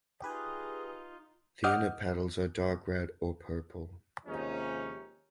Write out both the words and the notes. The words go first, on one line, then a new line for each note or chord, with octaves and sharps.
The inner petals are dark red or purple.
D#4 F4 G4 G#4 B4 G#5
D#5 F#5 D6 D#6 F6 G6
D#2 C3 F3 G#3 C#4 D#4